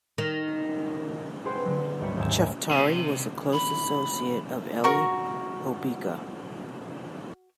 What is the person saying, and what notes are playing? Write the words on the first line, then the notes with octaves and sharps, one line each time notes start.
Chaftari was a close associate of Elie Hobeika.
D#3
G#4 B4 C5 F#5 G5 C6
D3 F#3
G#1 D2 G3 C#5 B5
D#2 G#2 D#4 E5 G#5 E7
A2
C3
B5
F#4 A#4 C#6